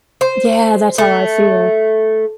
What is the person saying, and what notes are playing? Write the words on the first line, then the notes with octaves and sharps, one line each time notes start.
Yeah, that's how I feel.
C5
A3